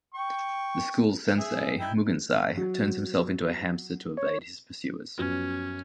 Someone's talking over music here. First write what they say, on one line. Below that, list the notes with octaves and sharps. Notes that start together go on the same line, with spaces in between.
The school's sensei, Mugensai, turns himself into a hamster to evade his pursuers.
G5 C#6
G#4 E5
D#4 E4 G5
F#3
C#5
F#2 F3 B3 C#4